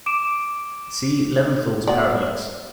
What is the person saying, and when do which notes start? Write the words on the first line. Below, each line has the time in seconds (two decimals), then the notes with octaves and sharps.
See Levinthal's Paradox.
0.06 D6 D7 E7
1.87 B3 F#4 D5